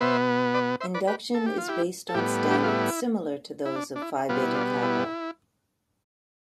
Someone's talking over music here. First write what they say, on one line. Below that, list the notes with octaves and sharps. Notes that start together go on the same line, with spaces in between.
Induction is based on standards similar to those of Phi Beta Kappa.
B2 B3 C5 E5
B4 D5
C5 E5
B4 D5
G4 B4
A4
G4
F4
E4 G4
A4
A2 G3 B3 E4 G4
E4 G4
F4
E4
E4
D4
D4
E4
B2 G3 B3 F4
E4
D4 F4
E4